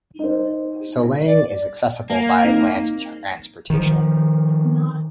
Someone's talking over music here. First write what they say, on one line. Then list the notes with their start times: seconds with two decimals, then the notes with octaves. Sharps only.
Silang is accessible by land transportation.
0.19 D#4 C5
1.26 D5
2.10 A#3
2.43 C4 D#4
3.70 D#3 F3